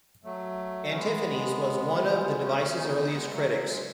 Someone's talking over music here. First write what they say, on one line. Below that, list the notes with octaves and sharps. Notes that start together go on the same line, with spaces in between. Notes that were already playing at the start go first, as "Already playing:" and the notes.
Antiphanes was one of the device's earliest critics.
F#3 A3
C#4
G#3 B3
A3 C#4
A3 C#4
B3 D#4
B3 D#4
G#3 B3
F#3 A3
F#3
G#3